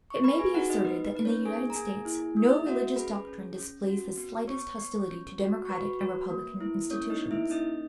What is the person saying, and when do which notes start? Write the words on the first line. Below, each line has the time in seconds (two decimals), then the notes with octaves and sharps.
It may be asserted that in the United States no religious doctrine displays the slightest hostility to democratic and republican institutions.
0.10 C#6
0.24 B3 B4 B5
0.39 G#4 G#5
0.54 D#4 F#4 F#5
0.69 D#4 D#5
0.85 B3 B4
1.04 B4
1.16 D#4 B4
1.25 C#4 C#5
1.45 A#3 G#4 G#5
1.70 A#5
1.75 A#3 G#4 G#5
2.05 E4
2.37 A#3
2.48 D#5
2.58 E5
2.67 C#4 F#4 F#5
2.96 G#4 B4 B5
3.27 C#4
3.57 C#4
3.88 F#4
4.17 B3
4.47 B3 C#5 C#6
4.78 B3
5.09 C#4
5.39 F#4
5.65 C#6
5.69 F#4 B4 B5
5.99 F#4
6.30 A#3
6.60 E4
6.90 A#3 C#4 C#5
7.10 D#4 D#5
7.21 A#3
7.31 E4 E5
7.50 C#4 D#4 D#5